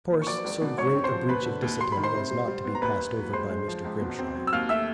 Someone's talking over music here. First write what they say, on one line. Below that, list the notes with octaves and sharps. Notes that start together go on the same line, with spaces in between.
Of course, so great a breach of discipline was not to be passed over by Mr. Grimshaw.
A#2
C#6
F#3 D5 D6
C#2
B2
G#2 C#5 C#6
C4
C5 C6
F3
D#2 B4 B5
D3
D#2
F#3 C6
D#3 B5
C5 C6
C3
G3
G3
B3
A#5
D#2 B4 B5
D#2
F#3
G#3 C5 C6
G#3
F3
C#2
B2
C4
F#3
E6
D#2 F5 F6
A3 E5 E6